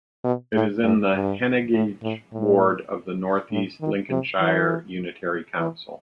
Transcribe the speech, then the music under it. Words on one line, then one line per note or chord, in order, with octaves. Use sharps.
It is in the Heneage ward of the North East Lincolnshire Unitary Council.
B2
A2
G2
G2
A2
A2
A2
A2
D#3
C3
E3
E3